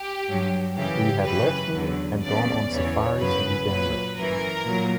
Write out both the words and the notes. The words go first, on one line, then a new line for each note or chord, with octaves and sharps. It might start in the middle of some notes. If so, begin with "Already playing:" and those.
He had left me and gone on safari to Uganda.
Already playing: G4
G2 F#3
F#2 C#3 E3 G4
F#2 C#3 E3 B4
E2 D3 F#3
E2 C#3 E3 D5
E2 C#3 E3 C#5
F#2 C#3 F#3 B4
A#2 F#3 B4
F#2 E3 A#4
A#2 F#3